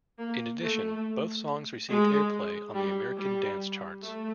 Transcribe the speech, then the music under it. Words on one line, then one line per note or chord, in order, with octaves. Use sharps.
In addition, both songs received airplay on the American dance charts.
A#3
A3
G#3
G3
G3
A3